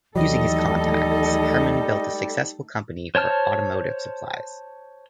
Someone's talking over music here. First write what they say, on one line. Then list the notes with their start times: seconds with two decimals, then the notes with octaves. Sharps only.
Using his contacts, Herrmann built a successful company for automotive supplies.
0.16 D#2 E3 F#3 G3 A3 D#4 A4 D#5
3.15 C5 C#5 A5 F6